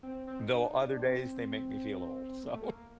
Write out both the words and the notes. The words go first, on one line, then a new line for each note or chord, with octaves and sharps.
Though other days they make me feel old, so
C4
C4
D#4
D4
D#4
D4
C4
A#3
A3
A#3